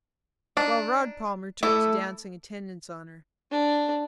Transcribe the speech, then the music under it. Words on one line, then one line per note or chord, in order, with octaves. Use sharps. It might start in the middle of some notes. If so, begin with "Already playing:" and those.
Well, Rod Palmer took to dancin' attendance on her.
D4 D#4
A3 E4 A4 D6 D#6
D4